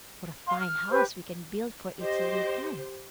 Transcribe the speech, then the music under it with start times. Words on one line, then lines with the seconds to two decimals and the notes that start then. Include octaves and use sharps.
What a fine house we can build for it to live in!
0.46 F5 C6
0.60 F6
0.90 G4 B4 C5
1.99 G4 C5 D#5